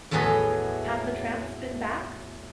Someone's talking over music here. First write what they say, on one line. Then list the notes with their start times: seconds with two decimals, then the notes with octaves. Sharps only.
Have the tramps been back?
0.11 E2 A2 F#3 G#4 B4 D#5